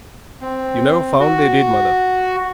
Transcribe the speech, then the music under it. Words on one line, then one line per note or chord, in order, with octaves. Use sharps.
"You never found they did, mother."
C4
F#4